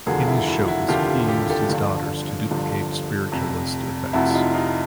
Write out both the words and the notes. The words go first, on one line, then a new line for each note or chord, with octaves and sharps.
In his shows, he used his daughters to duplicate spiritualist effects.
F1 D#2 D3 F3 F#4 G#4
E4 F#4
E4 F#4
E4 F#4
F1 D#2 D3 F3 F4 G4
G4 A4
G4 A4
G1 G2 D3 F3
G1 G2 D3 F3
F1 F2 C3
F1 F2 C3 E4 F#4
E4
D#4 F4
D#4 F4